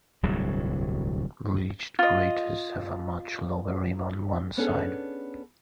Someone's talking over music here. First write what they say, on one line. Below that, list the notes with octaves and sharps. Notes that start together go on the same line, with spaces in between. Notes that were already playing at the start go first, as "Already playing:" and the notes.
Breached craters have a much lower rim on one side.
D1 C2 G2 F#3
F4 D#5
B3 C#4 D4 G#4 A4